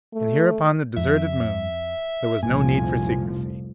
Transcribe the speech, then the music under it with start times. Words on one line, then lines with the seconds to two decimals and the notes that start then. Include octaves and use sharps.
And here upon the deserted Moon there was no need for secrecy.
0.13 A3
0.97 F2 E5
2.43 F1 C2 A#2 F3 G#5